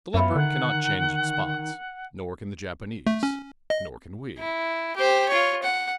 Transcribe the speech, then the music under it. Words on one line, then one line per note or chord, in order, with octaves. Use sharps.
The leopard cannot change its spots, nor can the Japanese, nor can we.
F#2 F#3 B3 F4 E5 B5
D3 D#3 F#5
A3
C#4
D#5
E4
G4 C5
F4 C#5
F#5